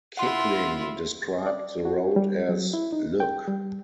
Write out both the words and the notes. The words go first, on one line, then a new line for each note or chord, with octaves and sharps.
Kipling described the road as::Look!
E4 F4 F#5 C6
D5
F#4
G3
F#3
E4
D#4
G5
G3